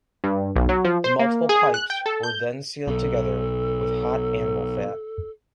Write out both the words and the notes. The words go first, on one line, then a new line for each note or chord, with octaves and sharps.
The multiple pipes were then sealed together with hot animal fat.
G2
B1
F#3
F3
C5
A#3
G#4
F#6
G5
A4
G6
B1 A4